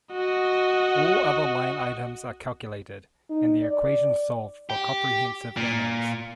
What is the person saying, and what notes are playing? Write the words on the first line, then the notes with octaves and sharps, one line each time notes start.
All other line items are calculated, and the equation solved for comprehensive earnings.
F#4 D#5
D#4
D5
G4
A#2